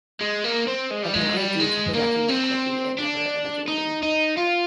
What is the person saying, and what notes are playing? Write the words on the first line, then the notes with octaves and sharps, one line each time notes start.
Apparently due to production difficulties, it never eventuated.
G#3
A#3
C4
G#3
G3
G#3
G3
G#3
A#3
C4
D4
D#4
D#4
F4